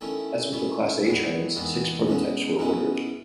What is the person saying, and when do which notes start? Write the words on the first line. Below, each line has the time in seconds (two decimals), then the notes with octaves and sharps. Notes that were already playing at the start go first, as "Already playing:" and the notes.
As with the class A trains, six prototypes were ordered.
0.01 D#3 A3 C#4 E4
0.52 D#3 A3 C#4 E4
1.04 E2 D#3 G#3 B3 E4
1.55 E2 D#3 G#3 B3 E4
2.07 B2 G#3 C#4 E4
2.58 B2 G#3 C#4 E4